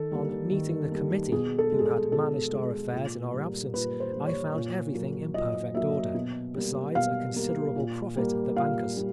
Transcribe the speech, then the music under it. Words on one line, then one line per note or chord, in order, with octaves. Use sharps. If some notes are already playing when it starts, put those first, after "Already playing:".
On meeting the Committee, who had managed our affairs in our absence, I found everything in perfect order, besides a considerable profit at the banker's.
Already playing: D#3 A4
G3 A#3
D#3
G3 A#3
B2 G#4
A4
G#3
G#4
A4
B2 A4
G#3
A#2
G3 A#3
A#2 B4
C5
G3 A#3
C#5
A#2
F#3 A#3
A#2 D#5
F#3 A#3 E5
B2
G3 A#3
B2 F5
G3 A#3
A#2
G3 A#3
A#2 F5
G3 A#3